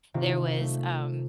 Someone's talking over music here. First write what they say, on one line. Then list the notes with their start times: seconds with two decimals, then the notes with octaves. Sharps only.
there was, um,
0.14 C3 D#3 F4
0.60 A3